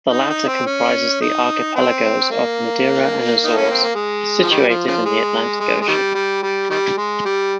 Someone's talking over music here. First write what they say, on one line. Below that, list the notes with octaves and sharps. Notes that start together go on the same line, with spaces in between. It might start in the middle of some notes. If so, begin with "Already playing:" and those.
The latter comprises the archipelagos of Madeira and Azores, situated in the Atlantic Ocean.
D#4
D#4
C4
C#4
D#4
C4
A#3
D#4
C#4
C4
A#3
G#3
F3
D#3 G3
F3
C#3 F3
G#3
G#3
G#3
D#3 G3
G3
G3
D#3 G3
G#3
G3